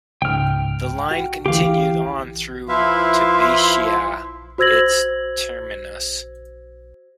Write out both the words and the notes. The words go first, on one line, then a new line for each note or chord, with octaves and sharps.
The line continued on through to Bishia its terminus.
C#2 G#2 G5 F6
F#4
D2 E3 G4 F5
F3 E4 B4 E5 F5 C6
F#4 C5 E6 G#6 A#6 F#7